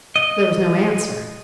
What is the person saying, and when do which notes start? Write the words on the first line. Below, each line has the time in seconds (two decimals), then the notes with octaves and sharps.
There was no answer.
0.16 D#5